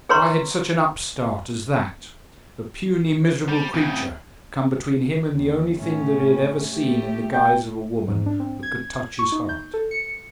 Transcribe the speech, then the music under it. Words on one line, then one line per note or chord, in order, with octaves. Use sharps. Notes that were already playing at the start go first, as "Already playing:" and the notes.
Why had such an upstart as that, a puny, miserable creature, come between him and the only thing that he had ever seen in the guise of a woman that could touch his heart?
G#4 B4 C#5 A#5 C6 C#6
C5
G3
A2 C#3 C4
D#2
A2 C#4
A3 G4
G5
G#2
D4
C4
G#6
C#6
D#4
G6
A4
C#7